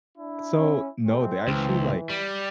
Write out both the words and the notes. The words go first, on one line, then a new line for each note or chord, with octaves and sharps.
so No, they actually, like
D4 E4
C#4
F2 G#3 A3 C4
C#2 E3
G3